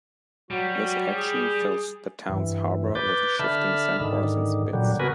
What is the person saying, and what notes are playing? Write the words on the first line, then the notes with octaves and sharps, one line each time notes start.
This action fills the town's harbor with shifting sandbars and spits.
F#3 G3 F#4
G#4
G2 E3
B4 D6 G6 A6
D3 E5 A5 B5 F6
G#2 D3 D#3
A#2 D3 F#3 G3
C#3 B3 F#4 A#4 B4 G#5